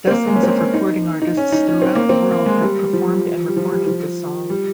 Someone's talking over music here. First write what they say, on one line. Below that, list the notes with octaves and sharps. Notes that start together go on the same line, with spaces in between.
Dozens of recording artists throughout the world have performed and recorded the song.
C4
A#3
G#3
C#4
C4
C#4
D#4
D#4
C#4
D#4
C#4
C4
A#3
C4
A#3
G#3
G3
F3
G3
F3
G3
F3
G3